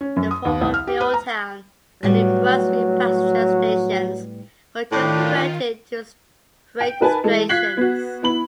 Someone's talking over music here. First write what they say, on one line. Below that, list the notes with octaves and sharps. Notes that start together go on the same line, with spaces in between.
The former Milltown and New Brunswick passenger stations were converted to freight stations.
C#4
F#2
D#6
D#2
C2
F6
G4
B4
A#5
A2 F#3 G3 B3
A2 D#3 D4 F4 G4
G5
D#4 A#4 B4 G#5 A5
E3 G#3 A4
F4 F#6 G#6 B6 C7 F#7
B3 F#4
B3 E4 B5 F#7